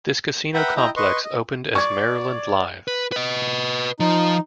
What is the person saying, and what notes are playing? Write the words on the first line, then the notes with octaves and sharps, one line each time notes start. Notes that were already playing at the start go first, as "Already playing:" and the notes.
This casino complex opened as Maryland Live!
B4 E5 F#5 G5 A#5 B5
E4 D#5 G5 A#5
B4 D#5 C6 C#6
D#5
D5 C#6 G#6
B4
B4 D#5
F3 D#4